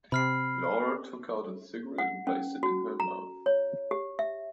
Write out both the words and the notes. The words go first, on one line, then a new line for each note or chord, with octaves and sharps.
Laura took out a cigarette and placed it in her mouth.
C3 B5 F6 C7
F#5
C#4
F#4
A#5
C#5
G4
E5